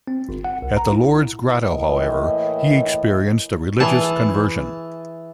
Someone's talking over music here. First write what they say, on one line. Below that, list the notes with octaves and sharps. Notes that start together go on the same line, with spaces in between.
At the Lourdes grotto however, he experienced a religious conversion.
C4
G1
F#5
C2
A#5
E4
A2 E3 A#3 D#5
E3 G#4 A5